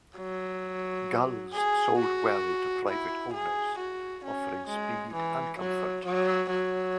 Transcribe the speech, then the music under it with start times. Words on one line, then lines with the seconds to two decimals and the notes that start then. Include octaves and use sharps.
Gulls sold well to private owners, offering speed and comfort.
0.18 F#3
1.53 G#4
1.98 F#4
2.88 E4
3.33 G#4
3.79 F#4
4.24 C#4
4.68 G#3
5.13 E3
5.59 F#3
6.04 F#3
6.50 F#3